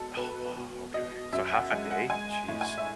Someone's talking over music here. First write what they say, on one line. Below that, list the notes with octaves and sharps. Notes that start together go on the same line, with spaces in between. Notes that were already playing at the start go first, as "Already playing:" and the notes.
Oh, wow. Okay, so half a day? Jeez.
Already playing: B2 G#3 A4
B2 B4
B2
B2 D#5
F#2 E5
F#5
G#3 G#5
F#5
G#3 G#5
A2
G#5
E5